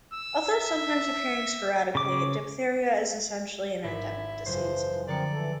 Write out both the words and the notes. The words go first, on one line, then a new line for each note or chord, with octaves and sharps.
Although sometimes appearing sporadically, diphtheria is essentially an endemic disease.
E6
E5
C#3 D6
G#1 E4 A6 B6
F#1 E3 F3 C5 C7
D3 F3 C4 A#4 D5 C#7
E3 A4